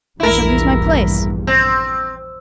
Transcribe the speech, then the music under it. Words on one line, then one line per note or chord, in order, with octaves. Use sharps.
I shall lose my place.
A#1 E2 G2 E4 A#4
C4